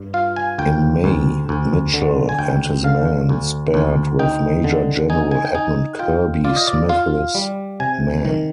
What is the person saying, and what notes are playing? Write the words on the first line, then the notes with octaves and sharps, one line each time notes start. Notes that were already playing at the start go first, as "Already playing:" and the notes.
In May, Mitchel and his men sparred with Major General Edmund Kirby Smith's men.
Already playing: G2
F4 F5
G#5
D2 G5
D2
D2
D3
G#5
D2 G5
D3 F5
D2
D2
D#4 G5
D3
D#4 G#5
G#5
G5
D#4 G#5
F4 G5
F4 D5
D#5
D5
F4 F5
G3
C3 G#5
D#3